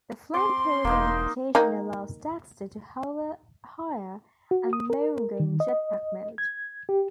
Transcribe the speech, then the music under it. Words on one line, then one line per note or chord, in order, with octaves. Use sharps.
The flamethrower modification allows Daxter to hover higher and longer in jet-pack mode.
C4 C6 D6
E1 A#3 D#4
D#3 A#3 D#4
F#4
D#6
A#4
D#3
D#5
G#6
G4